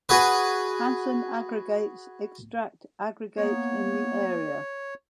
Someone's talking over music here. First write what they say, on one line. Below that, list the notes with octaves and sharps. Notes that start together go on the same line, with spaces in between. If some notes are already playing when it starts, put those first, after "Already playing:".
Hanson Aggregates extract aggregate in the area.
F#4 G#4 B4
A#3 B3 C#5